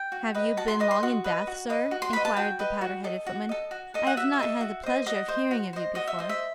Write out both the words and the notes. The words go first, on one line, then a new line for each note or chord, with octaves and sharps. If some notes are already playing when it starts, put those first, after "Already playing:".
'Have you been long in Bath, sir?' inquired the powdered-headed footman. 'I have not had the pleasure of hearing of you before.'
Already playing: G5
F#4
B4 D#5
F#4 A5
C6
B4 D#5 D#6
C6
F#4 D#6
B4 D#5
F#4
B4 D#5
F#4
C6
B4 D#5 B5
A5
F#4 G5
B4 D#5
F#4
A4 D#5
F#4
A4 D#5
F#4
A4 D#5
F#5
F#4 E5
A4 D#5
F#4
C5 D#5
F#4 D#5
C5 D#5
F#4
C5 D#5
F#4 D#5
E5
C5 D#5
E5